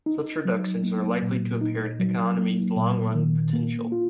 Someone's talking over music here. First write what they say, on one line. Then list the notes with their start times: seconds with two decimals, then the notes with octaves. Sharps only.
Such reductions are likely to impair an economy's long-run potential.
0.06 D#4
0.45 F#3
0.83 A#3
1.22 A#2
1.61 D#4
2.00 F#3
2.38 A#3
2.77 A#2
3.14 D#3
3.53 A#3
3.92 F4